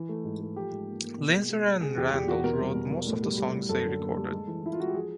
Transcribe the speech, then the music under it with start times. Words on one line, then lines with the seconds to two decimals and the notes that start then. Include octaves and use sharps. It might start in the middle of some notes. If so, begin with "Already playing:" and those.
Linzer and Randell wrote most of the songs they recorded.
Already playing: E3
0.09 A3
0.24 G#2
0.40 A3
0.56 F3 G4
0.71 G#2
0.88 A#3
1.04 A#3
1.18 B2
1.34 G#3
1.49 G#3
1.66 G#3
1.81 C#3 G#4
1.96 E2 G4
2.12 E2 G4
2.28 E2 F#4
2.44 B2 A#4
2.60 G3
2.75 B2
2.91 B2
3.07 A2
3.22 G3
3.38 G3
3.53 A2
3.69 F#2 A4
3.85 D3
4.00 A#3
4.16 G3
4.32 G#3
4.48 E3
4.63 E3 E4
4.72 F4
4.79 G#3 F#4
4.88 G4
4.94 F3 G#4